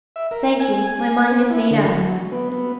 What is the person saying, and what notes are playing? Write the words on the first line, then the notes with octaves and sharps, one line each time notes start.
'Thank you, my mind is made up.'
E5
A#4
G#5
G#5
C4
E4
D3
F#3
B3
B3